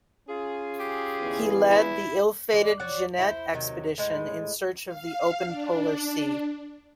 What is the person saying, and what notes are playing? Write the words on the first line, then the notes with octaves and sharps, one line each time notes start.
He led the ill-fated Jeannette Expedition in search of the Open Polar Sea.
C#4 F4 G#4
G4
E2 D3 E3
E4
E3 G#3 D5
F#4 C#5 D5
E4 C5
C3 D#3 F#3
A2 G#3 C5
F5
D4